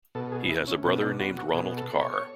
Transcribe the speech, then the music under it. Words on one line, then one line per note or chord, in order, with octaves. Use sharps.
He has a brother named Ronald Carr.
B2 A4
G#4
E4
C#4
B2 C#4
D4
F#4
F#4
B2 G#4
A4
C#5
C#5